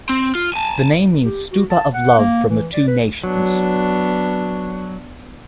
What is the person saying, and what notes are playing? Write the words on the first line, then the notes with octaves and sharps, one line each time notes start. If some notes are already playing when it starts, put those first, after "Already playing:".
The name means "Stupa of Love from the Two Nations".
C4
F4
G#5 A5
G4
F#4
A5
F#5
A#3
E3
D5
B4
F#3 B3 D4